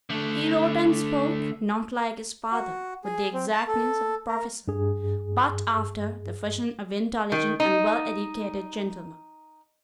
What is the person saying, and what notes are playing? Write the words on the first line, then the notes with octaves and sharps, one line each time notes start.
He wrote and spoke, not, like his father, with the exactness of a professor, but after the fashion of intelligent and well educated gentlemen.
D3 A3
F#4
G#4
C4
A5
A4
A#4
G2 G#4
D#3
D#4